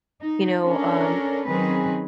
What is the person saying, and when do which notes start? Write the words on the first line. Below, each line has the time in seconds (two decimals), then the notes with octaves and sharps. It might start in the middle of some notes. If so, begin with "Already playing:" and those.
you know, um,
0.22 D#4
0.63 C#4 D4 A4 A#4
1.47 D#3 F#3 C4 C#4 G#4 B4